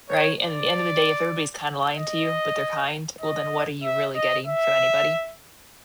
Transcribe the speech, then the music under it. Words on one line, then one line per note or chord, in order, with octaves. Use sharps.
right, and at the end of the day, if everybody's kinda lying to you, but they're kind, well, then what are you really getting from anybody?
C#5
D5
D#5
D#5
E5
D#5
E5